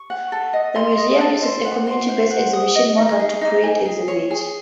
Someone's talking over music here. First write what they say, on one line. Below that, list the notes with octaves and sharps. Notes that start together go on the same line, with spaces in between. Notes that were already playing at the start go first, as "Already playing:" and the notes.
The museum uses a community-based exhibition model to create exhibits.
Already playing: C#6
F#5
A4
D#5
C6
D#5
A4
C5
F#5
C6
C5
F#5
D#6
D#5
D#4
G#4
D#4
G#5
G#4
C#5
G#4